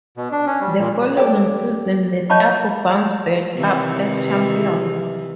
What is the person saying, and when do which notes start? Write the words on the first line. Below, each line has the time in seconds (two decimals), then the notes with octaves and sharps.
The following season the club bounced back up as Champions.
0.17 B2
0.32 D4
0.46 C#4
0.61 G3
0.79 A#2
1.17 G4 A4 C#5 D5
2.30 C#5 D#5 F5 A5 B5 C#6
3.55 C3 D#3 E3